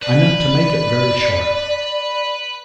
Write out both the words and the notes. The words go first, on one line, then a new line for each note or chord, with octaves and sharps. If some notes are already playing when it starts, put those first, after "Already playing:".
I meant to make it very short.
B4 D5